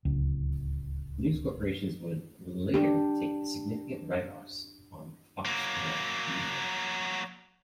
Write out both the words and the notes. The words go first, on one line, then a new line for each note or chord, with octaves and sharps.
News Corporation would later take significant write-offs on Fox Interactive Media.
D1 C#2
D4 G4
F#3 A#3